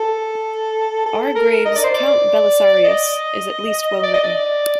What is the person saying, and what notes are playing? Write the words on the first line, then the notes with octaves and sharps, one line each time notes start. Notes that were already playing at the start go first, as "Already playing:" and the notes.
R. Graves's "Count Belisarius"... is at least well-written.
Already playing: A4
A4
A#4
D#5
D5
C5
D5
D#5
D5
D#5
D5